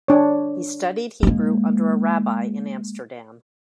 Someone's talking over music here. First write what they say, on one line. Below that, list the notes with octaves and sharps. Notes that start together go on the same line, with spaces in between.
He studied Hebrew under a Rabbi in Amsterdam.
D4 C#5
G#3 A#3